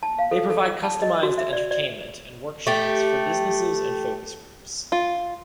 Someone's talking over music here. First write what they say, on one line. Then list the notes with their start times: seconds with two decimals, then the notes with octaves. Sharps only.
They provide customized entertainment and workshops for businesses and focus groups.
0.03 A5
0.18 F5
0.31 A4
0.50 A4
0.66 E6
0.83 A5
1.02 D#5
1.23 F#4
1.38 E5
1.53 D5
1.71 D5
2.67 A3 G4
4.92 F4